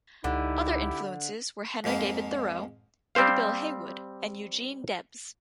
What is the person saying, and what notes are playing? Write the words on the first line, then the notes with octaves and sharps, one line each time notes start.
Other influences were Henry David Thoreau, Big Bill Haywood and Eugene Debs.
C#2 D3 D#4 E4 G4
F2 G#2 A#3 C4
G3 C4 G4 C5 F5